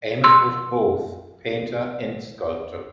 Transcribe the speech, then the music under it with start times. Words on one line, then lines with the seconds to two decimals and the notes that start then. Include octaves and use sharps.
Ames was both painter and sculptor.
0.24 C6 E6